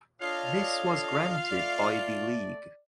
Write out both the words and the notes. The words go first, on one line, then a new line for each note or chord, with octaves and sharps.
This was granted by the league.
D4 F4 A4 C#5 D#5 F5
A3 D5